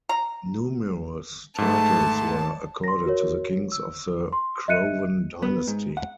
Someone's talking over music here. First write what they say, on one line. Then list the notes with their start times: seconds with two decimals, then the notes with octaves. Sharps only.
Numerous titles were accorded to the kings of the Crovan dynasty.
0.09 A#5
1.58 G#2 A3 A5
2.84 C6 A#6
3.06 F#4 A#4 C#5
3.72 E6
4.32 C6
4.68 D#5 E5 F#6 C#7 D#7
5.42 B3
5.67 G#2
5.97 F#5